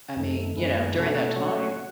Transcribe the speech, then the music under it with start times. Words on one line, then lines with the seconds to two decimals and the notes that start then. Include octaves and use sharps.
I mean, you know, during that time.
0.16 F#2 D#3 A3
0.57 F#2 D#3 G#3 B3
0.96 B2 A3 C#4 F#4 A4
1.36 F#3 A3 C#4 F#4 C#5
1.76 F#4